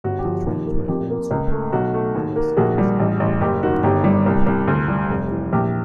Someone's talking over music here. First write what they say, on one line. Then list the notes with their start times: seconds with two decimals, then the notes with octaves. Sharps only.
The trains were also painted in West Yorkshire Metro maroon and cream livery.
0.04 G1 F#4
0.19 G4
0.25 F3
0.33 G4
0.47 D#2
0.67 A#3
0.88 F2 G4
1.10 A#3
1.31 C#2
1.51 A3
1.72 B1 F#4
1.94 A3
2.15 D#2
2.36 A#3
2.57 A#1 F#4 G#4
2.78 G3
3.00 A1
3.20 A1
3.41 F#1 G4
3.63 D#3 F#4
3.83 G1 G4
4.04 G3
4.26 C2
4.46 C2
4.68 D2
4.88 G3
5.10 F1
5.31 E3
5.53 A#1 G4